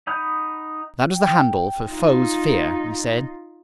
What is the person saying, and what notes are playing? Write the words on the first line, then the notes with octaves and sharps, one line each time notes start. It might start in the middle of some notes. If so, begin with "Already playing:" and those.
"That is the handle for 'Foes'-fear,'" he said.
D#4 F#5 B5 D#6 G6
G5
D#4 F4